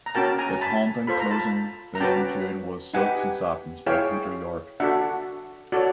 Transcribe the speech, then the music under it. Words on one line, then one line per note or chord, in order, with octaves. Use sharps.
Its haunting closing theme tune was "Silks and Satins" by Peter Yorke.
A#5
C#4 F#4 A#4 G5 A5
G#5 A#5
A5 B5
F4 A4 C5 B5
A#5
A5 B5
A#5
C#4 F#4 B4 G5 A5
D#4 G4 B4 F#5 G#5
E4 G#4 C#5 F5 G5
D4 F#4 A4 E5 F#5
F#4 A4 C#5 D5